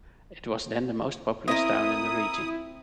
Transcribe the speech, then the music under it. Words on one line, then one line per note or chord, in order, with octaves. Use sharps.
It was then the most populous town in the region.
C4 E4 A#4 D#5 E5 D#6